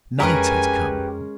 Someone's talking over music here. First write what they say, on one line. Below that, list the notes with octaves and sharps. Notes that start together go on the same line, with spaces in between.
Night had come.
F2 G#3 C#4 G4 A#4 B4 G#5 A#5